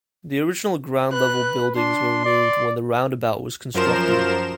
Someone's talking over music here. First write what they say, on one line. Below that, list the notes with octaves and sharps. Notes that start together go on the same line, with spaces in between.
The original ground-level buildings were removed when the roundabout was constructed.
B4 F#6
D4 C6
D5
F#2 F3 A#4 C5 E7